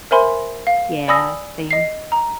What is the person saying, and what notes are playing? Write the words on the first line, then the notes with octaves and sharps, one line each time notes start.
Yeah, same.
A#4 C5 E5 G#5 B5 C6
F5
D5 G#5 B5 D#6 E6 A#6
D#5 C7
A#5